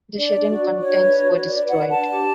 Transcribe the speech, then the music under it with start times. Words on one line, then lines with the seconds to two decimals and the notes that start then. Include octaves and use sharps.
The shed and contents were destroyed.
0.17 D4 D5
0.33 D4
0.50 F#4
0.66 F#4
0.82 D4 C#5
0.98 B4
1.14 F#4
1.31 B4
1.46 B4 D5
1.63 B4
1.68 F#5
1.79 B4
1.90 A5
1.95 D4
2.12 G4